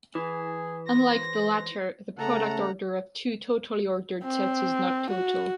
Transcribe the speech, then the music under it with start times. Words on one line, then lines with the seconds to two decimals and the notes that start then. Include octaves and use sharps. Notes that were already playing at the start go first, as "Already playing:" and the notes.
Unlike the latter, the product order of two totally ordered sets is not total.
0.15 E3 G#4
0.87 C5 A#6
2.18 C#3 A3 A4 F#5 A#5
4.24 C4
5.10 F#4